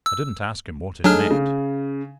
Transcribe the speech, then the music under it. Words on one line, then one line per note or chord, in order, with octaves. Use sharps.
I didn't ask him what it meant.
E6
F#3 A3 D4 D#4 G#4 F6
C#3